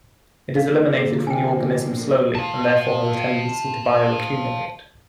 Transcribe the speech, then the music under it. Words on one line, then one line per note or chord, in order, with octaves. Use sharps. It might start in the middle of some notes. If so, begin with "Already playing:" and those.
It is eliminated from the organism slowly, and therefore has a tendency to bioaccumulate.
D3 F3 A#3 F5
G#4
G5 G#5
F5 A5